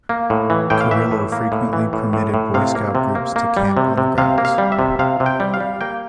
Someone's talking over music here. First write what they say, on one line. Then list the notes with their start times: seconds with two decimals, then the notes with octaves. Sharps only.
Carrillo frequently permitted Boy Scout groups to camp on the grounds.
0.09 A#3
0.30 A2
0.50 E3
0.70 A2 G5
0.81 F5
0.91 E3 E5
1.11 A2
1.32 A#3
1.52 A2
1.73 E3
1.93 A2
2.13 A2
2.34 A2
2.54 C3 F5
2.75 A#3
2.95 C3
3.15 A#3
3.36 A#3
3.57 G3
3.77 C3
3.98 C3
4.18 C3 F5
4.38 A#3
4.45 F5
4.58 G3
4.72 E5
4.79 C3
4.99 C3 F5
5.20 C3
5.26 G5
5.40 G3
5.54 F5
5.60 G3
5.81 A#3 G5